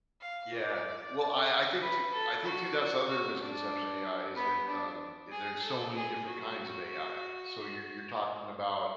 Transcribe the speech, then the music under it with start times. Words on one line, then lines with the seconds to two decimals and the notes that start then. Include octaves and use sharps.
Yeah, well, I I think to I think, too, that's the other misconception of AI is that, um, eh, there's so many different kinds of AI. So you're you're talking about
0.21 F5
0.53 D5
1.81 B4
2.12 A4
2.44 F#4
3.07 F#4
3.40 D4
4.35 B3
4.68 D4
5.31 G#4
5.63 A4
5.95 G#4
6.27 F#4